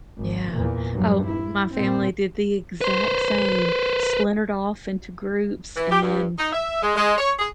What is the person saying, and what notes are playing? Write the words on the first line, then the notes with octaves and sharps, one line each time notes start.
Yeah. Oh, m my family did the exact same, splintered off into groups, and,
G#1
E2 A#2
G2 F#3
E4
A#2 C4
B4 C5
E3
G4
G2
D#4
E5
G#3
G#3
C#5
G#4